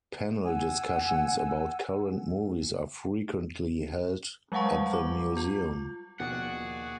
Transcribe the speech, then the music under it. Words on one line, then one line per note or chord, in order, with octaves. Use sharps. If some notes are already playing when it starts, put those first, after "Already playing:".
Panel discussions about current movies are frequently held at the museum.
F#5 G#5 E6
F#3 G#3 F5 F#5 A5 C#6
G3
D6
F4
D#2 B2 D#3 F3 F#4 G#4 D5 F#5